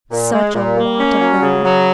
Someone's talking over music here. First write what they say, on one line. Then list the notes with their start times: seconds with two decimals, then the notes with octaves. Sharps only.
Such a lot of them!
0.11 A#2
0.33 G#3
0.55 A#2
0.77 A#3
0.99 C#4
1.21 F#3
1.43 C#3
1.65 F#3